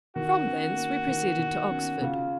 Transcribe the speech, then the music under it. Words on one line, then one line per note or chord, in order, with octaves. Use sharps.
From thence we proceeded to Oxford.
D#3 F#4
C#4
A#3
D#3
D#3
C#4
C#3 F4